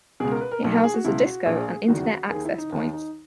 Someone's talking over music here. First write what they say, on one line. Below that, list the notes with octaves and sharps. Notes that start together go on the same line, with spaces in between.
It houses a disco and Internet access points.
C#2 B2 G#4
A#4
B4
A#4
B1 B2
A#4
G#4
F#4
C#2 B2 E4
F#4
A#1 A#2 G#4
F#1 E2 D#3 F#4
D#2 D#3 G#4
E4
D#4
D#2 D#3 D#4
D#4